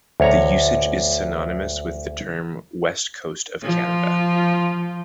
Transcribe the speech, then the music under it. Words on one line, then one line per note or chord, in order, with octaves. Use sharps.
The usage is synonymous with the term West Coast of Canada.
D2 C#5 A#5
F3 F4